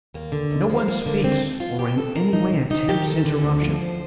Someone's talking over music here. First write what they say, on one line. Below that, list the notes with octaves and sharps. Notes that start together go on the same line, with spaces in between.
No one speaks, or in any way attempts interruption.
D#2 A#3
D3
D#2
F3
D#2 A#3
D3
D#2 C4
F3
D2 F4
C3 G4
D2 A4
D#3 A#4
D2 D#4
C3
D2 D#4
D#3 G4
D2 A4
D3
D2
F3
D2 C5